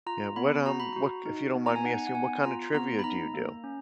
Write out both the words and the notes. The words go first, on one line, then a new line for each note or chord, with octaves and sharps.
Yeah, what, um what k if you don't mind me asking, what kinda trivia do you do?
F4 A#5
B3 B5
F#4 A#5
B5
F#4 A#5
D#4
B3
A#5
G#5
D#4 F#5
F#5
B3 G#5
F4 A#5
B3 A#5
B5
D#4 A#5
A#3
C#4